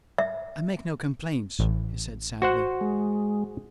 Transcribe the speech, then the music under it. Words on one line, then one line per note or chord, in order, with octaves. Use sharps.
"I make no complaint," he said sadly.
E5
A1
F#4 C5 F#5
G#3